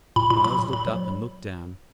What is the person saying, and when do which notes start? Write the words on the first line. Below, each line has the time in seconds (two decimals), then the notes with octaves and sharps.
Myles looked up and looked down.
0.16 A#2 B5
0.30 A#2 B5
0.45 F#3 B5
0.58 A#2
0.73 A#2 B5
0.87 F#3